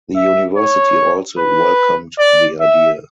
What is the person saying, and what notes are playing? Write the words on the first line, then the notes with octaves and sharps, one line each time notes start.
The university also welcomed the idea.
E5
C#5
B4
D5
E5